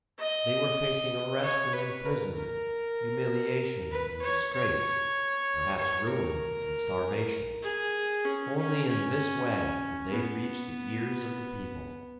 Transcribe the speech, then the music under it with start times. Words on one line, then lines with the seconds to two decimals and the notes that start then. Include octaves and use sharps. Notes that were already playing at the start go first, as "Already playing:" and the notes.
They were facing arrest and imprisonment, humiliation and disgrace--perhaps ruin and starvation. Only in this way could they reach the ears of the people.
0.18 D#5
1.42 C#5
1.73 B4
2.05 A#4
2.36 A#4
3.91 B4
4.21 C#5
4.53 C#5
5.77 C#5
6.07 A#4
7.63 G#4
8.25 C#4
8.56 C#4
8.87 C#4
10.11 B3